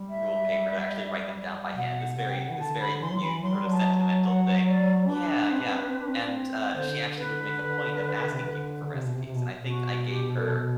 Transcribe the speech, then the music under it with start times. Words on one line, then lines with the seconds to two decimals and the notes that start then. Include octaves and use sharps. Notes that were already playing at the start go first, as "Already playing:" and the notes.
ruled paper to actually write them down by hand. This very this very cute sort of sentimental thing. Yeah, yeah. And, uh, she actually would make a point of asking people for recipes. And I think I gave her
Already playing: G3
0.10 E5
1.76 B2 F#5
2.17 C3 F#5
2.29 G5
2.40 F#5
2.51 E3
2.59 D3 A5
2.80 B5
3.02 E3 C6
3.11 F#3
3.20 E3 B5
3.42 F#3 C6
3.54 G3
3.67 F#3 A5
3.99 A5
4.26 F#5
4.68 D5
5.09 D4 B4
5.51 C4
5.61 D4
5.70 C4
5.80 D4
5.90 C4
5.99 D4
6.10 C4
6.19 D4
6.28 C4
6.75 D3 C5
7.18 B4
8.34 C3
8.42 D3
8.84 D3
8.94 C3
9.05 B2
9.14 C3
9.25 C3
9.35 B2
9.56 B2
9.67 F#4
10.09 G4
10.36 A4